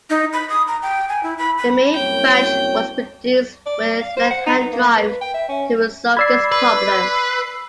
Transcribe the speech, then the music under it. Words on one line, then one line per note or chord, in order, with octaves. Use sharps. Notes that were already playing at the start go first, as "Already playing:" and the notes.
The main batch was produced with left-hand drive to resolve this problem.
D#4
B5
D#6
A#5
G5
G#5
E4
B5
B5
F#1 C2 C#5 G5
D5
F5
C5
F#5
D#4
B3
A#3
B4
G5
E5
C#4
D5 B5 E6 G#6 C7
B4